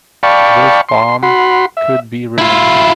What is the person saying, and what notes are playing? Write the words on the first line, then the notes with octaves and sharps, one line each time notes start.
This bomb could be removed.
D5 F5 G5 A5 B5 C#6
C6
F#4 F#5 B5 C6
E5
E4 F4